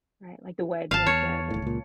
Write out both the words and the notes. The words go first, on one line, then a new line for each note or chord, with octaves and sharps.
Right, like the wedge, like, yeah, the
G#1 F5 A5
E2 C#5
D1 A2
C#2 A#2